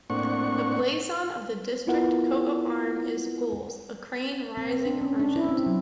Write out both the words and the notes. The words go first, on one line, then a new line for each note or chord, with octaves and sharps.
The blazon of the district coat of arms is Gules, a Crane rising Argent.
A2 A#3 C4 D4 F#5 C#6
B3 E4 F4 A#4 B4 F#5
C4
C4
D4
C#4
D4
E4
C4
F#3